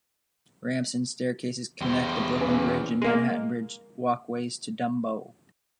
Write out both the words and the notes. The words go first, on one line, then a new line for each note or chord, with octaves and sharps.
Ramps and staircases connect the Brooklyn Bridge and Manhattan Bridge walkways to Dumbo.
E2 C5
C#4 B4 G#5
G#3 A#3